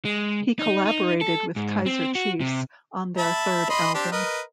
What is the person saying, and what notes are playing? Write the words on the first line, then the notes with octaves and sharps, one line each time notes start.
He collaborated with Kaiser Chiefs on their third album.
G#3
D#4
D#4
A4
G#2
C4
F#4
C3
E5 A5 B5
D#5 B5 C6
C4 D4 G4
A#4 B4 D#5